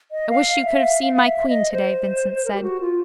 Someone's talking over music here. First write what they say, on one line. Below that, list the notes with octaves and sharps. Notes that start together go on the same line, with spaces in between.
I wish you could have seen my queen today, Vincent said.
D#5
F5
E5
F5
F5
E5
D#5
C5
A#4
G4
F#4
F4